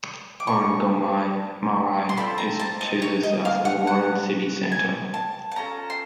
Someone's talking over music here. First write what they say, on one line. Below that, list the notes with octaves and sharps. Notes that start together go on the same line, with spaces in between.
Orongomai Marae is to the south of the modern city centre.
D6
C#6
C6
C4 F4 A4 B5
A#5
A5
D#5
C#5
D#5
F5
F#5
F#5
G#5
A5
A5
C#4 F4 A4 A#5
C6